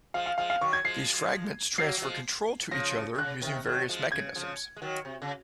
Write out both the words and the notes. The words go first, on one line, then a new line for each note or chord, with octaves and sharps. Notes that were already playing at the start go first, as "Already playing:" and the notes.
These fragments transfer control to each other using various mechanisms.
F3 G#3 F5
F5
F3 G#3 F5
F5
D#3 F#3 C#6
G#6
F3 G#3 C7
F#3 A#3 C7
F#3
F3 G#3
C#3 F3 A#6
D#3
C#3 F#6
C3 D#3
D#3 F#3
F3 G#3
C#3 G#6
C#3 F3
G#3
D#3 F#3
C3
C#3